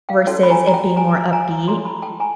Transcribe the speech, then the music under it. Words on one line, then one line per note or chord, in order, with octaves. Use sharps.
versus it being more upbeat,
F5 G5
C#4 F#4 A4 C#5 G5 A5
B5
G#5 A#5
A#5
G5 A5
G#5 A#5
G#5 A#5
F#4 A4 C#5 A#5 C6
A5 B5
G5 A5
G#5 A#5